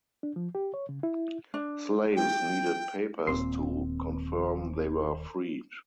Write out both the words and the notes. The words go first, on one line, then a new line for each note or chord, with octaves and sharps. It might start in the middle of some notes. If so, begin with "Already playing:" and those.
Slaves needed papers to confirm they were freed.
D4
F3
G4
C#5
C#3
E4
D4
G5
D#1 D#2 A#2 C4 C6